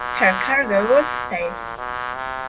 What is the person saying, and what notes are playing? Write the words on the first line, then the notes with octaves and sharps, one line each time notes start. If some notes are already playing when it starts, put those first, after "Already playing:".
Her cargo was saved.
Already playing: B2
B2
A#2
B2
C3